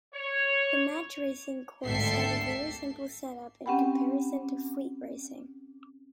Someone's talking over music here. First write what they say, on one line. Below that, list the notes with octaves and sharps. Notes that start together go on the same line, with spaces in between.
The Match Racing course has a very simple setup in comparison to fleet racing.
C#5
G#1 D2 A4 E5 G5 C7
C4 C#4 G4 F#5 G5 B5